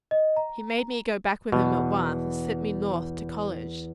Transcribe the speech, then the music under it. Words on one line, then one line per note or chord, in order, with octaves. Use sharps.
He made me go back with him at once and sent me North to college.
D#5
A#5
E2 B2 D#6